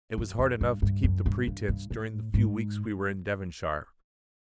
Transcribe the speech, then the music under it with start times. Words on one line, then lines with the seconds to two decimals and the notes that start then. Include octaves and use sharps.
It was hard enough to keep the pretence during the few weeks we were in Devonshire.
0.18 F#2
0.39 F2
0.61 G2
0.82 G2
1.04 F#2
1.26 G2
1.47 G2
1.69 G2
1.91 A2
2.34 G#2